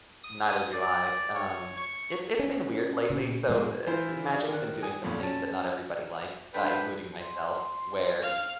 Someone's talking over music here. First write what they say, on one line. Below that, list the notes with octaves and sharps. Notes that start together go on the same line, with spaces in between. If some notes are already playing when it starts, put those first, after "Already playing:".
neither do I. Um it's it's been weird lately. So, uh uh, Magic's been doing some things that not everybody likes, uh, including myself, where
D#6
D5
C#5
C#6
C#4
A#2 C#3
G#2 B2 F3 G#3
E3 F4 C5
D4
D#3 F#6
G#5 D#6
B1 F2 A#2
C#4 A5
D3 D4 B4 C5 G5
C6
F5